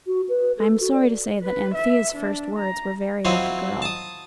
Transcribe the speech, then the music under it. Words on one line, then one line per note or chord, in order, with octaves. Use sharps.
I am sorry to say that Anthea's first words were very like a girl.
F#4
B4
A4
F#4
D5
B4
E5
D4
A#5
F#3 C4 E4 F4 C#5 D#5
A5 D#6